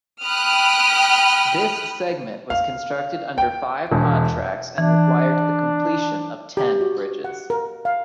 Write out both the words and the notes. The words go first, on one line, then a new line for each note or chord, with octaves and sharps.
This segment was constructed under five contracts and required the completion of ten bridges.
G5 B5 D#6 F6 F#6
F5
G5
E1
E3 D4
G4
F#4
F#5
A#4
F5